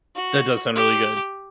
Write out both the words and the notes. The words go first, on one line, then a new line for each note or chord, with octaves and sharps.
That does sound really good.
F#4
G4